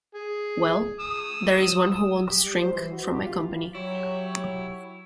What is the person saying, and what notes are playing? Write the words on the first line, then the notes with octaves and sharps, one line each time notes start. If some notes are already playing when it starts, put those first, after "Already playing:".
Well, there is one who won’t shrink from my company!
G#4
D#6 E6
G4
G3
C5
E3
F#4
G4
F4
F#3 E4 G4 C#5